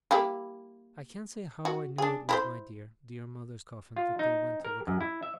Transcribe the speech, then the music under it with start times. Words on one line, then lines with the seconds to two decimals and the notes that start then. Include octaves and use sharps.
I can't say how I knew it was my dear, dear mother's coffin that they went to look at.
0.11 G3 A#3 E4
1.65 F#4
1.98 D4 G#4
2.29 E4 A#4 C5
3.96 F4
4.19 D#4
4.65 A#4
4.87 F#2
5.01 E4
5.23 E5